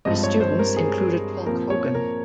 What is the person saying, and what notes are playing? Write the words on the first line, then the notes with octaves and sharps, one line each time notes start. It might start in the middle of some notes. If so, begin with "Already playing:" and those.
His students included Hulk Hogan.
G2 F3 G#3 C4 D#5
C#5
C5
A#4
G#4
A#2 F3 C4 A#4
C#5
A#4